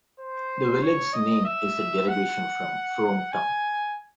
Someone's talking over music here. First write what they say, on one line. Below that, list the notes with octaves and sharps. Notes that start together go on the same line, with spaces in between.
The village's name is a derivation from "Frome Town".
C5
C#5
D#5
E5
F#5
G#5